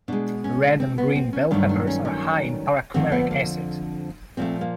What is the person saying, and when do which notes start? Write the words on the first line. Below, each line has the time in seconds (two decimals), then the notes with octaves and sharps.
Red and green bell peppers are high in para-coumaric acid.
0.08 B2 G#3 D4
0.44 C#4
0.80 C4
0.98 B3
1.16 C4
1.33 C#4
1.51 G2 D#3 F#3 A3 D4
1.69 D4
1.87 C#4
2.05 C#4
2.94 F2 D3 F3 A3 C4
3.12 B3
3.31 A#3
4.37 A#2 F3 A3 C4
4.61 A#3